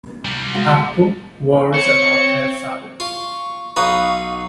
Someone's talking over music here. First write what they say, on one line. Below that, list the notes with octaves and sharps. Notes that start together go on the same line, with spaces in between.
Appu worries about her father.
C3 G3
G#3 A#3 F#4
C4 C#5 C#7
F4 C#6
B1 D#4 B4 F5 C#6